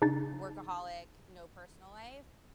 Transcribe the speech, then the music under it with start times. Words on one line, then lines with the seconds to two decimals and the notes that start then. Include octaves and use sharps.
workaholic, no personal life?"
0.02 C#3 D4 D#4 A6